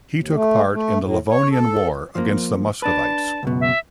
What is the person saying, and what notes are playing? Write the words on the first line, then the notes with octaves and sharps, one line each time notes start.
He took part in the Livonian War against Muscovites.
D#2
A3
A3
A2
C#5
A4
F3 A#3
D4 B4 A5
C#2 F#2 B2
E5